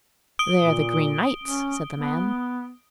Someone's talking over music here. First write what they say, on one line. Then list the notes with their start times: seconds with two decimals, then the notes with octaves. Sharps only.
'They are the Green Knight's,' said the man.
0.39 D#6 D7 G7
0.62 A#2
1.43 C#4
1.97 B3